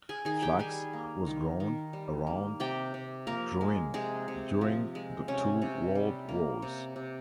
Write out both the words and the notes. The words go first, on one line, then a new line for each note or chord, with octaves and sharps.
Flax was grown around Drouin during the two world wars.
G#4 G#5
D#3 G#4 G#5
G4 G5
G3 G#4 G#5
A#3
D#3
D#3
G3
A#3
C3 G4 G5
C3
F3 A#3 A#4
G#3
C3 G#3 G#4
C3
F3
G#3
C3 C#4
C3
G3
A#3
C3
C3